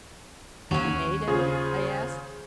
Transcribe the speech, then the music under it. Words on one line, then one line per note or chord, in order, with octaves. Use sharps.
"Have you made any?" I asked.
D#2 F#3 C#4
C#3 F4 G#4 C5 C#6